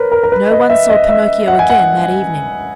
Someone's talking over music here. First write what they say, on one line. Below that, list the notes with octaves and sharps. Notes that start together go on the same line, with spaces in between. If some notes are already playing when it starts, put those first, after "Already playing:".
No one saw Pinocchio again that evening.
Already playing: A#4 B4 C#5
A#4
A#4
B4
D#5
E5
D#5
E5
F#5
G#5
F#5